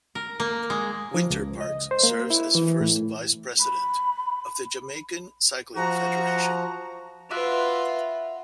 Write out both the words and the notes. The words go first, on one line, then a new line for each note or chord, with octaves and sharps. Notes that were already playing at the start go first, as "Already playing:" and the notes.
Wynter-Parks serves as first vice-president of the Jamaican Cycling Federation.
A#4
A#3
G#3
F3
C#2
D#5
C5
A#3
E4
E3
A2
B5
F3 F#4 A#5
F4 F#4 B4 E5 D6